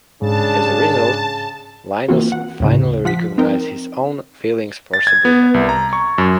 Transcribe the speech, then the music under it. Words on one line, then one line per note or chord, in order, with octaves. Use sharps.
As a result, Linus finally recognizes his own feelings for Sabrina.
G#2 C#3 D4 A5
E3 A#3 C4 F4 F#4
F#5
D#2 A2 C#3
F3 F#5 B6
C4 D#4 A#4 G5
A6
G#6
B3
C2
A#5
C#6
F#2